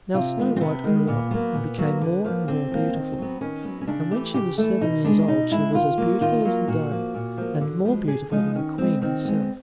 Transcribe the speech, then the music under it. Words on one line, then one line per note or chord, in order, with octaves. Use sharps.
Now Snow-white grew up, and became more and more beautiful; and when she was seven years old she was as beautiful as the day, and more beautiful than the Queen herself.
C3 F4
D#3 G#3 B3
C4
C3 B3
D#3 G#3 B3
A#2 B3
F#3 A#3 B3
A#2
F#3 A#3
D3
F3 A#3
D3 C4
F3 A#3
D#3
F#3 B3
D#3 C#4
F#3 B3
C#4
C#3 D4
E3 A3 G4
C#3 G4
E3 A3 A4
B2 D#4
G#3 B3 D4
D4
B2 D#4
G#3 B3 E4
D#3 F4
F#3 A#3
D#3 F4
F#3 A#3
A#2 F#4
F3 A#3
A#2
F3 A#3
D3
F3 G#3 B3
D3 G#4
F3 G#3 B3 D#4
D#3 C#4
G#3 B3 C4
D#3 C4
G#3 B3